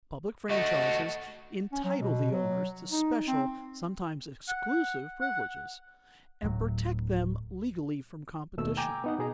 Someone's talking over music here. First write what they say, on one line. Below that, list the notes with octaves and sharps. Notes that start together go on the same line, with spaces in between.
Public franchises entitle the owners to special, sometimes exclusive, privileges, and protect them legally from competition.
A3 F#4 D#5
C#4
F#3
B2
F#3
D#4
C4
F#5
F#5
D1 A2 F#3
D#2 B2 A3 E6
G5 G#5 A#5 D6 G6
B3 D#4 F#5
B2 G#4 A#5